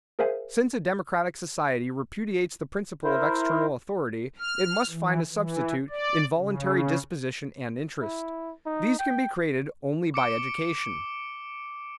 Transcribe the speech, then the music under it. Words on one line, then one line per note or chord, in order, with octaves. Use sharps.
Since a democratic society repudiates the principle of external authority, it must find a substitute in voluntary disposition and interest; these can be created only by education.
G#4 A#4 C5 E5 F5 G#5
E4 A#4 C5
F6
E3
E3
D5
C#3
E4
D#4
G5
D6 C#7 D7 G7